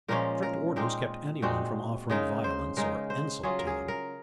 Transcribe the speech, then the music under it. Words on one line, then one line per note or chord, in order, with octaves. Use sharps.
Strict orders kept anyone from offering violence or insult to them.
A#2 F3 G#3 C#4 A#4
A#4
A#2 G#3 C4 D#4 A#4
A#2 G#3 C4 D#4 F#4
C#3 G#3 D#4 A#4
C5
C#3 G#3 D#4 A#4
C5
F#3 C#4 F4 G#4
A#4
G#4
A#4